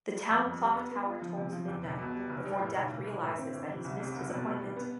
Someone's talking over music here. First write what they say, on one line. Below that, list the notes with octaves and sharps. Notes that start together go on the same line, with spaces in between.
The town clock tower tolls midnight before Death realizes that he's missed his appointment.
G3
F2
F2
G3
B3
B3
F4
F3
C3
F3
E2
E1
B2
G3
F1
G3
A2
B1
F1
F1
A2
C4
G1
C3
C2
C3
F1
B2
G3
G3
B3